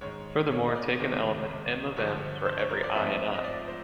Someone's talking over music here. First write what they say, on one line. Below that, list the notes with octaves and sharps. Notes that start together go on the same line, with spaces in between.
Furthermore, take an element "m" of "M" for every "i" in "I".
G#2 D#3 G#3 C#5
C#5
D#5
D5
C#2 C3 D#3 G#3
G2 D3 F3 C#5
C5
C#5
A#4
D5
G#2 F3 A3 C4 E5
D#5
D5
C5